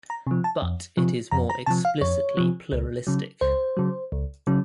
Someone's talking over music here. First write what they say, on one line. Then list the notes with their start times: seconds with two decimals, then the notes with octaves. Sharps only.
But it is more explicitly pluralistic.
0.10 A#5
0.27 C3 F3
0.44 A5
0.62 F2
0.97 C3 F3
1.31 F2 A#5
1.50 A#5
1.66 C3 F3 A5
1.85 F5
2.01 F2 C#5
2.37 C3 F3
2.72 C#2
3.07 C#3 F#3
3.41 C#2 C5
3.77 C#3 F#3
4.12 C#2
4.47 C#3 F#3